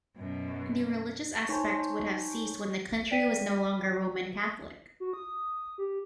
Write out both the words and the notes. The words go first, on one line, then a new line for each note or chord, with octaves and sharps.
The religious aspect would have ceased when the country was no longer Roman Catholic.
F#2 B2
D#4 C5 C#5 G#5 A5
D5 G5 B6 D#7
F#4
D#6
G4